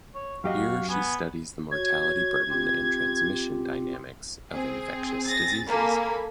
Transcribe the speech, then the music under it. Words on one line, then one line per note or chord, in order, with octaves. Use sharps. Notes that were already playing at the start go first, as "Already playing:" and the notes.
Here she studies the mortality burden and transmission dynamics of infectious diseases.
C#5
F#2 F#4 G4 D#5 F5
B3 G#5
F#4 C#5 G#6
C4 F4 G4
C4 G#4
A6 A#6
A#3 A4 G#5 B5